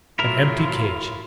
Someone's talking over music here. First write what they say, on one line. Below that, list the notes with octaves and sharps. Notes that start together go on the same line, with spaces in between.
An empty cage!
A2 F#3 E4 F4 A#4